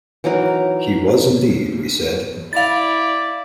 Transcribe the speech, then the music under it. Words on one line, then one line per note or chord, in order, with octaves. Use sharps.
He was indeed, we said.
E3 F#3 D#4 A#4
E4 D5 F5 A6